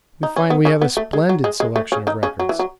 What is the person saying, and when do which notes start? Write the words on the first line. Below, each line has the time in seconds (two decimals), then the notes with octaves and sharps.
We find we have a splendid selection of records.
0.23 D#4
0.36 C#4
0.50 B3
0.65 C#3 C#4
0.82 B3
0.97 A3
1.13 G#3
1.29 F#3
1.44 G#3
1.60 G#3
1.76 A3
1.92 C#3 C#4
2.07 D#3 D#4
2.23 C#3 C#4
2.39 F#3
2.49 E3
2.59 F#3